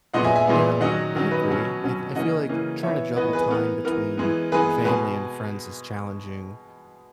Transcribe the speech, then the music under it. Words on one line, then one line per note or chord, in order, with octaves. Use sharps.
Well, yeah, I agree. I I feel like trying to juggle time between family and friends is challenging,
A#2 G#3 B3 D#5 F#5
E5 G#5
E5 G#5
A#2 G#3 B3
D#3 F#3 C#4 D#5 F#5
D#3 F#3 C#4
B4 D#5
B2 F#3 C#4
B2 F#3 C#4
C#3 E3 A#3 C#4 D#5 F#5
C#3 E3 A#3 C#4
E3 B3 C#5 E5
E3 B3 B4 D#5
G#4 B4
E3 B3 A#4
E3 B3 A#4
E3 G#3 B3
E3 G#3 B3 G#4 B4
B2 G#3 G#4 B4